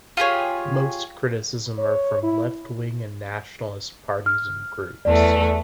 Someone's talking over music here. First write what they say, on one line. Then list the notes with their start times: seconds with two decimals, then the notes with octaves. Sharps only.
Most criticism are from left-wing and nationalist parties and groups.
0.17 F4 G4 G#4 C#5
1.78 C#5
2.23 E4
4.26 F6
5.05 E2 A3 D5